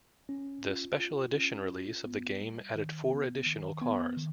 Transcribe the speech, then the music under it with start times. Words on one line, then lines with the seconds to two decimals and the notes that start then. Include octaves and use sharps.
The "Special Edition" release of the game added four additional cars.
0.29 C#4
0.65 F4
1.00 F4
1.35 C#4
1.70 F4
2.06 B3
2.40 G3
2.75 D#3
3.11 B3
3.47 D#3
3.82 B3
4.17 D#3